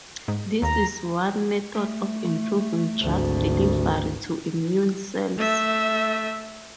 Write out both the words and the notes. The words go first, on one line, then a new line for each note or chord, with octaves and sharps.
This is one method of improving drug delivery to immune cells.
G#2
D#2 A#5
A3
G#1 D2
A3 E5